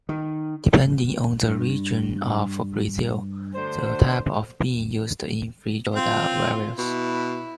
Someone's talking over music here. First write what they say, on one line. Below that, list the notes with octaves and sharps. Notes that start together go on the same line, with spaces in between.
Depending on the region of Brazil, the type of bean used in feijoada varies.
D#3
G2
D2 D3 C5
C4 F4
B2 E4